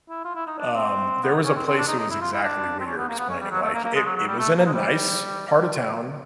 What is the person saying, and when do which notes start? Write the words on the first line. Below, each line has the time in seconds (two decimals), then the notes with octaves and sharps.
um, there was a place that was exactly where you're explaining, like, it it was in a nice part of town,
0.09 E4
0.25 F4
0.35 E4
0.47 D#4
0.58 D4
0.74 C4
1.24 B3
1.45 C#4
1.56 C4
1.67 C4
1.78 D4
1.88 D#4
1.99 D#4
2.10 E4
2.21 F4
2.33 E4
2.43 D4
2.80 C4
2.86 C#4
2.97 B3
3.08 A#3
3.19 B3
3.30 C#4
3.40 G3
3.51 F#3
3.63 A3
3.74 A#3
3.85 A#3
3.95 G#3
4.06 F#3
4.17 F#3
4.28 G3
4.39 A3
4.58 A#3
4.66 G#3
4.74 G3
5.48 G3
5.59 G3